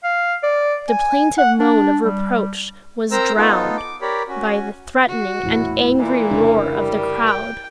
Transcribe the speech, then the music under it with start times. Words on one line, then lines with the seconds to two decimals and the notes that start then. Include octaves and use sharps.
The plaintive moan of reproach was drowned by the threatening and angry roar of the crowd.
0.04 F5
0.43 D5
0.89 G#5
1.38 F#5
1.59 D4
2.04 G3
3.11 C4 A#4 C5 A#5 E6
3.37 B3 D#4 F4 A4
3.77 D6
4.01 G4 A#4 C#5 D5 B5
4.29 C#4 F#4
5.08 F#4
5.43 D#1 E2 A2 E4
5.99 A#2 E3
6.31 F1 C#3 D4 A#4
6.74 G3
7.26 G5